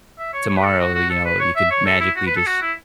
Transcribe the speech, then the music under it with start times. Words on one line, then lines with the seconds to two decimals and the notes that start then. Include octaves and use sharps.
tomorrow, you know, you could magically just
0.18 E5
0.33 C#5
0.48 C#5
0.57 B4
0.64 A4
0.79 F#4
0.95 F#4
1.10 A4
1.25 B4
1.40 C#5
1.56 E5
1.71 C#5
1.86 A4
2.00 E4
2.16 F#4
2.26 B4
2.36 A4
2.47 F#4
2.62 E4